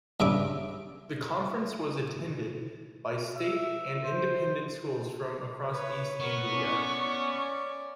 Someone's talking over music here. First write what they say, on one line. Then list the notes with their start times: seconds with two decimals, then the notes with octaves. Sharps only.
The conference was attended by state and independent schools from across East Anglia.
0.20 G2 C#3 E5 D6
3.35 E5
4.03 C5
5.70 B4 C#5
6.20 B3 A#4 C#6
6.53 C#4 D5